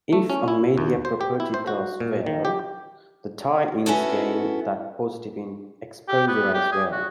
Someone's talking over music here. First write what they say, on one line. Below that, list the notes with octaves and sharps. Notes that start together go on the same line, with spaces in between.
If a media property does well, the tie-ins gain that positive exposure as well.
A3
C#4
E4
D#2
C5
G4
E4
C5
F#4
A#2
D#3
G4
B3 C#4 E4 F#4 A4
G4
B3
G4
G#4
F#4